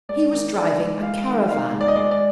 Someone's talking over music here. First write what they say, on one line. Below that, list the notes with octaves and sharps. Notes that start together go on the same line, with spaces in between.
He was driving a caravan.
G#3 D5
D#3
D#3 D5
G#3
G#3 F5
D#3
D#3 F5
G#3
D5
D#5
G#3 D5
D5